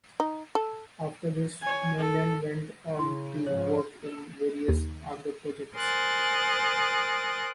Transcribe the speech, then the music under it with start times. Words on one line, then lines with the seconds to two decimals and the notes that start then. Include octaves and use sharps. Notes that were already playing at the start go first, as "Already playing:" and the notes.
After this, Moreland went on to work in various other projects.
0.20 D#4
0.55 A4
1.61 C#5 G#5
1.97 A4
2.99 C#3 E4 C6
3.47 G#2 C#3 F3 C#5
4.68 D#2
5.75 A#4 C5 G#5 D#6 F#6 A6